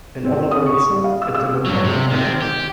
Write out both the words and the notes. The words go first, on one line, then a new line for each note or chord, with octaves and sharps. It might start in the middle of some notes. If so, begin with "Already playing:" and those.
In other words, a democratic party.
C4
A#4
D#6
C#6
G3
F5
E6
E6
G2 F#3
C3
D#3 C4
G4